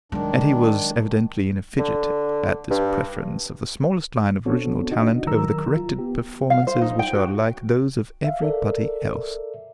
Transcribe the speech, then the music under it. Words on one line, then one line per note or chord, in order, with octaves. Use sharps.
Etty was evidently in a fidget at this preference of the smallest line of original talent over the corrected performances which are like those of every body else.
D#3 F#3 G#3 D4
D3
G2
B3 C4 D4 F#4 A4 C#5
D4 D#4 F#4 D#5
D#3 F#3 A#4 A#5 E6
F4
B3 G4
F5
C5
D#4
G5
F#4
E5 F5
A4 A#4 D5 E5